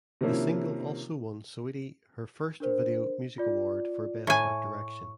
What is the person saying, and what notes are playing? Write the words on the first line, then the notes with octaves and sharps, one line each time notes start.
The single also won Saweetie her first Video Music Award for Best Art Direction.
C3 D#3 F3 A#3 C#4 E4
D4 A#4 C5
F4 D5
A2 G#5 C#6